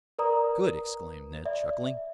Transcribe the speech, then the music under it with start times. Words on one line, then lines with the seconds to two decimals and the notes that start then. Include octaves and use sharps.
"Good!" exclaimed Ned, chuckling.
0.19 A#4 B4 D5 A#5 D#6
1.45 D5 E5